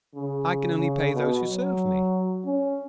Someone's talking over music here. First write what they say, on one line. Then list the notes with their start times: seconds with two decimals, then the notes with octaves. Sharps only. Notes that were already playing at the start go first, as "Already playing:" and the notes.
I can only pay those who serve me.'
0.15 C#3
0.75 C#3
1.14 B2
1.48 F#3
2.45 C#4